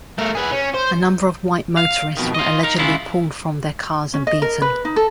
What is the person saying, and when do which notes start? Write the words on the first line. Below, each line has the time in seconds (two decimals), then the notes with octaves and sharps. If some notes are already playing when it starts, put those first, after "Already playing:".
A number of white motorists were allegedly pulled from their cars and beaten.
0.18 A3 A#4
0.35 G#4 B4
0.52 C#4
0.74 C5
1.77 F5
2.17 F2 B2 D#3
2.34 F4 D#5
2.63 D#4 A#4
2.79 C#3 E3 G#3 C#4 E4 F4
4.14 C#4
4.27 D#5
4.42 A#4
4.62 B4
4.85 D#4
4.96 A4